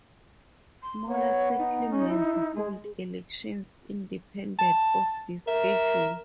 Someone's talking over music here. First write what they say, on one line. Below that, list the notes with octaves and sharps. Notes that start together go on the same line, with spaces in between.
Smaller settlements hold elections independent of this schedule.
C6
B3 C#5
D#4
C#4
E4
G#3 G#4
A5
A#4 E5